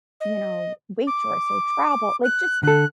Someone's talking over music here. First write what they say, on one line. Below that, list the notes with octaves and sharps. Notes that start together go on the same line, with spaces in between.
you know, waitress or travel." Like, just
D#5
D6
F#6
D3 A4 F#6